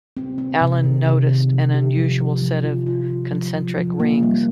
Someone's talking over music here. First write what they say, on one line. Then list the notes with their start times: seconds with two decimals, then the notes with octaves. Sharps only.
Allen noticed an unusual set of concentric rings.
0.17 C4
0.38 C4
0.61 C3
0.83 D#3
1.07 C3
1.29 C4
1.52 F3
1.74 G4
1.96 F3
2.19 F3
2.42 F3
2.64 F4
2.86 F4
3.09 F3
3.32 F3
3.55 F3
3.78 F3
4.00 A#3
4.23 G3